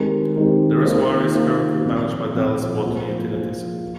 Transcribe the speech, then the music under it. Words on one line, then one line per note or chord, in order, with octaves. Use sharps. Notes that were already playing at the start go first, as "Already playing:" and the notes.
The reservoir is currently managed by Dallas Water Utilities.
Already playing: D#3 G#3 C4 G4 A#4
D#3 G#3 C4 G4 A#4
D#3 A#3 F4 C5
D#3 A#3 F4 C5
A#2 F3 C4
A#2 F3 C4
F3 A#3 F4 G#4 C5
F3 A#3 F4 G#4 C5
F4